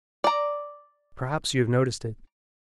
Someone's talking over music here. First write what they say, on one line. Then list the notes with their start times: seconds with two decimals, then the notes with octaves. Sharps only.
Perhaps you have noticed it.
0.24 D5 A#5